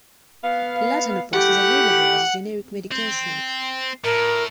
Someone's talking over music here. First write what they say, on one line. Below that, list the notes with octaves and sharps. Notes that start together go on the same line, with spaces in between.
Latanoprost is available as a generic medication.
B3 F5
A3 E4 G4 F#5
C4
A2 A#4